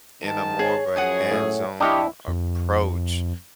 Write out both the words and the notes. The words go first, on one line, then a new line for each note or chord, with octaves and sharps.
in a more of a hands-on approach,
G#2 D#3 A5
G#4 C#5
F#2 F3 G#4 F#5 G#5 D#6
A2
D4 E4 G4 C#5 D#5 F5 G5
F2